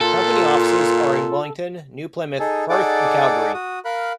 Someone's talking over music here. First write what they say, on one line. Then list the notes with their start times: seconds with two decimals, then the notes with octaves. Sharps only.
Company offices are in Wellington, New Plymouth, Perth and Calgary.
0.01 A#2 F4 A4
2.39 D#4 G#4 A4
2.70 D#4 G#4 A4 D5 F#5 D6
3.54 F#4 D#6
3.85 A#4 F5 B5 F#6